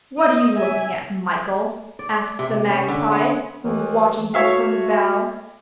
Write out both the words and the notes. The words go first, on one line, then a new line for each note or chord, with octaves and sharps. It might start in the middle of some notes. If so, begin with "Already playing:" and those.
'What are you looking at, Michael?' asked the magpie, who was watching him from a bough.
D#5
E5 G#5
D5
C3
C#4
D3
B3
D#2 E3
A3 F#4 C#5 E5 F5